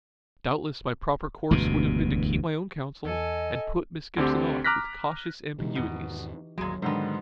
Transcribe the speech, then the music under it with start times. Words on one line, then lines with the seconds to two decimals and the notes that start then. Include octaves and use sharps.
Doubtless my proper course would have been to keep my own counsel and put Miss Gibson off with cautious ambiguities.
1.51 E1 D2 G2 B2
3.05 E2 A4 D#5 G#5
4.17 D2 D3 C4 G4
4.64 A#5 D6 F6 F#6 A#6 B6
5.59 B2 E3 G#3 D#4 G4
5.75 E2 G#2 B2 D#3
6.58 G1 D#2 A#2 F#3 G#3
6.82 G#2 D3 D#3 G#3 B3 C5